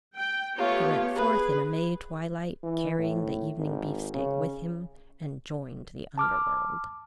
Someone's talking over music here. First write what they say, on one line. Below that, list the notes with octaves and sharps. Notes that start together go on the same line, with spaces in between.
He went forth in a May twilight, carrying the evening beefsteak with him, and joined the underworld.
G5
A3 B3 F4 G4 C#5
G#4 B4
E3
A2
G#1
C#3
A5 D6 F6